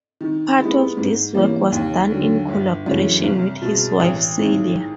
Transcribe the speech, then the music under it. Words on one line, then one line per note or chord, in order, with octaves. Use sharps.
Part of this work was done in collaboration with his wife, Celia.
D#3
G#3 B3 E4 G4
G#2
E3 G3 A#3 C#4
D#2
D3 F#3
G1
F#2 C#3 E3 A3
C2
B2 G#3
A1
G#2 D#3